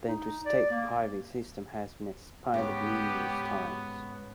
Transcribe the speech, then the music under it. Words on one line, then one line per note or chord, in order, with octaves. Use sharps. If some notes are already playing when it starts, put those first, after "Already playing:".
The Interstate Highway system has been expanded numerous times.
D#4
D5
A#3
G#2 C#3 B3 G4